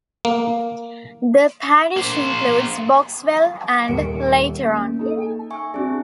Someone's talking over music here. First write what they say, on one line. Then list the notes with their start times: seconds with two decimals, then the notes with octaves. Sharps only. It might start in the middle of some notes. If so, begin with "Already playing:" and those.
The parish includes Boxwell and Leighterton.
0.25 A#3
1.97 A#3 C5
3.88 D#1 A#4 C#7 D7
4.63 A#3 C#4
4.99 D#4 A4
5.50 E5 G#5 C#6
5.74 C4 D4 F#4 G#4